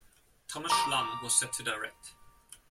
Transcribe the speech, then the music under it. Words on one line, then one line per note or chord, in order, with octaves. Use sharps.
Thomas Schlamme was set to direct.
A#5 D6